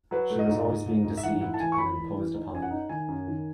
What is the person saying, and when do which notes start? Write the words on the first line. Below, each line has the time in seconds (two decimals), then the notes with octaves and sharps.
She was always being deceived and imposed upon.
0.11 F#3 B4
0.30 A3
0.39 D#5
0.49 G#2
0.67 G#2
0.86 G#2
1.05 G#2
1.18 E5
1.23 E3 F#5
1.41 E4 F#5
1.54 A5
1.60 E3 G#5
1.72 C#6
1.78 E3 B5
1.97 E3
2.15 E3
2.34 D#4
2.52 F#2 G#5
2.62 F#5
2.71 D#4
2.89 D#3 G#5
3.08 F#2
3.27 D#3